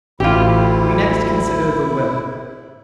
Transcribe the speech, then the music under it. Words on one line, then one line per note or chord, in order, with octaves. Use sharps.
We next consider the will.
A1 D2 E4 F4 G4